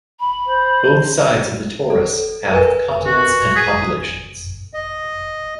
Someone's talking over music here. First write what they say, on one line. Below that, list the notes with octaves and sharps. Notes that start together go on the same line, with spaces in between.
Both sides of the torus have continents and populations.
B5
C5
A4
A#4 B4 G#5
F#4
G#4 B6 D#7
D#5